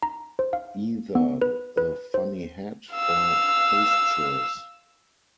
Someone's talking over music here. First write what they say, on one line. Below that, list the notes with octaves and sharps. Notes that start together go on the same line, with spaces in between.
Either the funny hat, or postures.
A#5
C5
F5
B3
B4
B4
C5
F5 E6